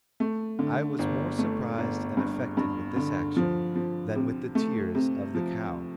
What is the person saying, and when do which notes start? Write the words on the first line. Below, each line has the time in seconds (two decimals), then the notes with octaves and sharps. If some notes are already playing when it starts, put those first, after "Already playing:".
I was more surprised and affected with this action, than with the tears of the cow.
0.20 A3
0.59 D3
0.99 G1
1.39 A3
1.78 G1
2.17 G2
2.57 G2
2.96 D3
3.36 F3
3.75 F3
4.15 C3
4.55 A3
4.95 C3
5.35 F3